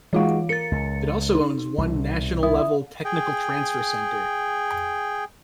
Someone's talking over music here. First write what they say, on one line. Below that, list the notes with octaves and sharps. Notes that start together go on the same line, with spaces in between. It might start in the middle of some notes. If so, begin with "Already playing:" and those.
It also owns one National-level Technical Transfer Center.
E3 G#3 D#4 F4 F#4 F5
A#4 A6 C#7
C#2
D#4
C2 B2
E4 D#6
G#4 G5